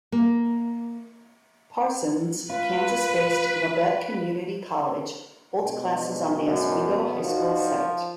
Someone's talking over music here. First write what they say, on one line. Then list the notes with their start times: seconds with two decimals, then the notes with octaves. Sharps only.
Parsons, Kansas-based Labette Community College holds classes on the Oswego High School site.
0.12 A#3
2.50 F4 B4
5.63 G#2 B2 D4
6.48 F#2
6.84 B2 F3 B3
7.23 G2 F3 D#4 F#4